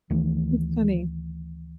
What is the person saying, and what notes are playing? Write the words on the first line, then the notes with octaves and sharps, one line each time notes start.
That's funny.
D2 D#3 E3 A3